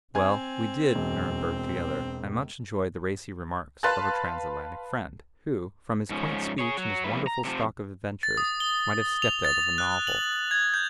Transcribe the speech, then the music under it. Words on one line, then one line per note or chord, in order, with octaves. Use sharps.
Well, we 'did' Nurnberg together, and much enjoyed the racy remarks of our Transatlantic friend, who, from his quaint speech and his wonderful stock of adventures, might have stepped out of a novel.
C4 G#5 G#6
E1
B4 F5 A5 C6 F#6 A6
G#2 F3 C#4
G#4 C#5
F#3
F3 G3 A#3 E4 B4
A#5
C3 E3 F3
A6
D#6
G7
F7
A6
A6
F#6
F#7
G#6
G6